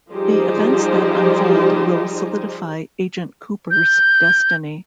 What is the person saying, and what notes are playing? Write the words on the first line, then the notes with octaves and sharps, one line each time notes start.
The events that unfold will solidify Agent Cooper's destiny.
F3 G3 D#4 G4 G#4 C5
G6